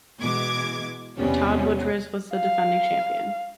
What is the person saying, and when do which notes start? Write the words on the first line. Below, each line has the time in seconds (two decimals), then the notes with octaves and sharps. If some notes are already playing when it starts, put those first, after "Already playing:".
Todd Woodbridge was the defending champion.
0.21 B2 E3 G#3 D6 G#6
1.18 E2 C3 G3 B3 C#4
2.35 F5